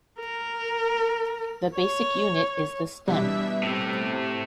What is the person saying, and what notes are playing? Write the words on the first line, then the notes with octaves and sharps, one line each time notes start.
The basic unit is the stem.
A#4
C#5
B2 E3 G3 D4 E5
A2 C3 A3